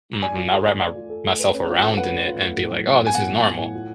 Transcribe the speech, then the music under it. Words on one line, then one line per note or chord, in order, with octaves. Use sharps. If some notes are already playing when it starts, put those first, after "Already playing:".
Mhm, not wrap my r myself around in it and be like, "Oh this is normal."
D5 G#5
F4
A4
A3
D5
F4
A4
A3
B4
C#4
F4
A3
B4 F#5
C#4
F4
A3
A2
F#3
B3
A2
G#5
A2 F#5
F#3
B3
A2
F4